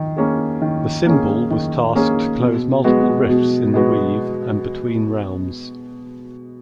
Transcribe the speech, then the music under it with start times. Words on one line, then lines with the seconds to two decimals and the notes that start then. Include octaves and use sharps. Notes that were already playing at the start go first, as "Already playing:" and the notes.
The Simbul was tasked to close multiple rifts in the Weave and between realms.
Already playing: D#3
0.17 A#3 C#4 G#4
0.61 D#3
1.06 A#3 C#4 G#4
1.51 D#3
1.95 A#3 C#4 G#4
2.40 B2
2.84 G#3 B3 F#4
3.29 B2
3.74 G#3 B3 F#4